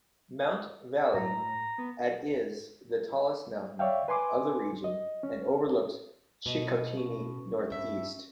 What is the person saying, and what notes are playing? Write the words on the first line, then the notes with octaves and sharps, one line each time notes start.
Mount Valin at is the tallest mountain of the region, and overlooks Chicoutimi north-east.
A2 A#5
B3
C#5 D5 E5 F5 G5
B4 G#5 C6 D6
D#5
C#4
B2 D#5
C#4
G2 E5